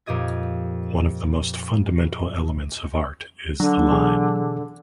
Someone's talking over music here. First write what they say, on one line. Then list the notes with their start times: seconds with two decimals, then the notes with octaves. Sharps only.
One of the most fundamental elements of art is the line.
0.06 F2 A#2 G4 D#5 G#6
3.60 D3 F#3 D4
3.91 B2 E3 G#4